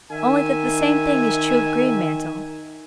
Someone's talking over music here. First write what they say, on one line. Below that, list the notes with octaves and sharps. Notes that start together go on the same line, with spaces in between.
'Only that the same thing is true of Greenmantle.
D#3 E5 G#5